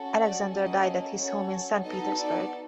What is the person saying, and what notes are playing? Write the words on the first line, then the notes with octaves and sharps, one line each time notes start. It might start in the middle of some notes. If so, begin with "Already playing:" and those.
Alexander died at his home in Saint Petersburg.
Already playing: C#4 F#4 A4
D5
A#3 C#4 F#4 A4 D#5
C#4 F#4 A4 C#5
B3 D#4 F#4 A4 D#5
D5